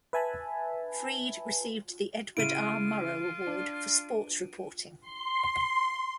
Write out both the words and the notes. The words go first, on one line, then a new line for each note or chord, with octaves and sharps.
Frede received the Edward R. Murrow Award for Sports Reporting.
B4 E5 G#5 A5 B5
C#3 E4 F4 D7 D#7
D4
C6